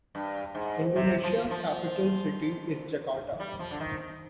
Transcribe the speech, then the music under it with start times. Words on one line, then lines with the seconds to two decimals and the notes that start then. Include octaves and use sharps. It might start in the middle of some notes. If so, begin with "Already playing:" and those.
Indonesia's capital city is Jakarta.
0.15 G2
0.55 G#2
0.96 C3
1.23 F3
1.50 F3
3.40 G3
3.59 F3
3.71 D3
3.80 D#3